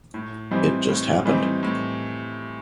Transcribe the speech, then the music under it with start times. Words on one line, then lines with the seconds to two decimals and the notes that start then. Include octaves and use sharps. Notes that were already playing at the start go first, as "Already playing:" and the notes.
It just happened.
0.14 A2
0.51 E3 G3 C4 D#4
0.88 A2
1.25 E3 G3 C4 D#4
1.63 A2